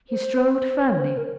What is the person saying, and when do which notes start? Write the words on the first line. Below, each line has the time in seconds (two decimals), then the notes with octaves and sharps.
He strode firmly.
0.10 C5
0.87 C#5
0.98 B4
1.01 C5
1.17 A#4